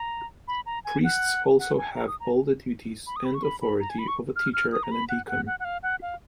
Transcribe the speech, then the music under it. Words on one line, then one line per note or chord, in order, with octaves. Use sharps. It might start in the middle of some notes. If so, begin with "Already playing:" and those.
Priests also have all the duties and authority of a teacher and a deacon.
Already playing: A#5
B5
A#5
G#5
F#5
F#5
G#5
A#5
D#6
A#5
B5
D#6
B5
C#6
B5
B5
A#5
G#5
B5
C#6
F6
F6
D#6
A#5
B5
F#5
F#5
F#5
F#5
F5
F#5
F5